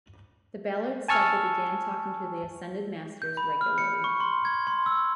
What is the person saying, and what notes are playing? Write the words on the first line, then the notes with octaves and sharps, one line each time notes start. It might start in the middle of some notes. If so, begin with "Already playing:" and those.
The Ballards said they began talking to the Ascended Masters regularly.
G#5 A5 C#6 E6 F6
G6
B5
F6
C#7
C#6
C6
G#6
C6
E6